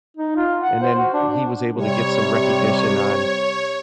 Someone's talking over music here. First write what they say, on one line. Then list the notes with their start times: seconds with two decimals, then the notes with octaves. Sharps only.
and then, he was able to get some recognition on
0.17 D#4
0.36 F4
0.61 F#5
0.82 C5
0.98 F#4
1.13 D4
1.77 C3 G3 C#5